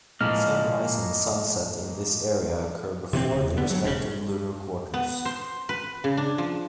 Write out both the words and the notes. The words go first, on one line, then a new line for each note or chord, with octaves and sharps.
Sunrise and sunset in this area occur before the respective lunar quarters.
A2 F3 G#3 A#3 D#5 F6
C3 E3 B3 C4
D1 C#3
E2
D3 B3
G2 F#3
E1 A2 C#3
B3
C5
B4
C#3
D4
F3